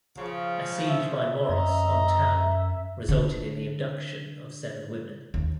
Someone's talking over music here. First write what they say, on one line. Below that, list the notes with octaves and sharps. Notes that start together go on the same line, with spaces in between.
A siege by Moros on town resulted in the abduction of seven women.
C#3 F3
E5
F#2 D#5 A#5
D3
D#2